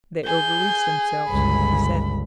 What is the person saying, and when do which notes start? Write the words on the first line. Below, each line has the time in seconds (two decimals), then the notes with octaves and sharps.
"They overreached themselves," he said.
0.26 G#4 G6
1.29 G1 C#2 B5